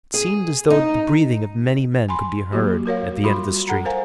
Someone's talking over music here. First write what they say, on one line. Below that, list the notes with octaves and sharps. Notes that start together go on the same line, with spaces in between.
It seemed as though the breathing of many men could be heard at the end of the street.
G#4
D#4
G#5 B5 C6
F#3 A#3 F#4 G4
F#4 A#4 C#5 F5
G3 F4 F#4 B5 C6
A4 F#5 A#5 B5
A#4 C5 F5 G#5 A#5